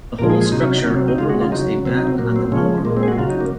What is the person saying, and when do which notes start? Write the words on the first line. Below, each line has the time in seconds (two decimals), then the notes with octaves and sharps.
The whole structure overlooks a bend on the Nore.
0.19 A#2 F3 G#3 A#4
0.30 G#4
0.41 G#4
0.52 C3 F#3 D#4
0.63 C#4
0.74 D#4
0.85 C3 C#4
0.90 F#3
0.97 C4
1.08 D#4
1.18 C#3 G#3 F4
1.30 F#4
1.41 F4
1.52 C#3 F#3 D#4
1.85 C3 F#3 C4
1.97 D#4
2.07 C4
2.19 A#2 F#3 A#3
2.36 C4
2.52 C#3 F3 G#3 C#4
2.85 A#2 G#3 A#3
2.97 C4
3.03 G#4
3.08 F#4
3.18 C#3 F#3 F4
3.30 D#4
3.41 A#3